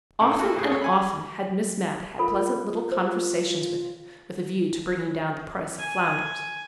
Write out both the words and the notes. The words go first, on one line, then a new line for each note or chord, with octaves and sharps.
Often and often had Miss Mapp had pleasant little conversations with him, with a view to bringing down the price of flounders.
A2 C#4 A4
A#3 F4 F#4 A4
G#1 A2 G#4
G#4 A4 C#5
G#5 B5
F4 A4 A#4 B5
C5
G#5